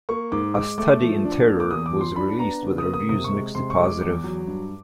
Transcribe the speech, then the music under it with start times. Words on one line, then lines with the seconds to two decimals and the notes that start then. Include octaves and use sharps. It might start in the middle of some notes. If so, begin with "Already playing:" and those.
"A Study in Terror" was released with reviews mixed to positive.
0.09 A#3 C#6
0.32 G#2 D6
0.55 G#3 D6
0.78 A3 D6
1.01 F3
1.25 D4
1.47 A#3
1.60 D6
1.71 E2 D#6
1.86 D6
1.94 F3
2.01 C6
2.16 D4 B5
2.39 B3 A#5
2.63 C#3
2.78 D#6
2.85 A#3
2.94 D#6
3.09 C3 D#6
3.24 C#6
3.32 G#3
3.55 C3 C6
3.70 C#6
3.78 G#3
3.85 D6
4.01 E2 D6
4.24 F#3
4.47 G2